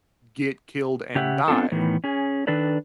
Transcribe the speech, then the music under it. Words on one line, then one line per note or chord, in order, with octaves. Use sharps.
get killed and die,
C#3 G4 E5 F#5
B3 C4 D4 F4 A4
A2 D#3 E3 B3
C#4 G#4
D#3 D4 A4 B4 D5